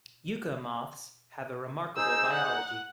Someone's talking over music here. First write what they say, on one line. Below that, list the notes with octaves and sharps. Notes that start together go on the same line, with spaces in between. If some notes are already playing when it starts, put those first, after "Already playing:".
"Yucca moths" have a remarkable biology.
D#4 G#4 C5 E6
F#5